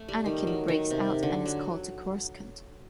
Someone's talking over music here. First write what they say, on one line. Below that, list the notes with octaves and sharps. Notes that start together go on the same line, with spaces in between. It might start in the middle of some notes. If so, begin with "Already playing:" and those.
Anakin breaks out, and is called to Coruscant.
Already playing: A3
G3
D#3
F#3
D#3
C3
D3
F#3